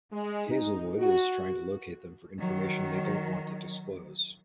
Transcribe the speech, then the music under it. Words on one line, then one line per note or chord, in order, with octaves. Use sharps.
Hazelwood is trying to locate them for information they don't want to disclose.
G#3
D#4
F#4
D#3 F#3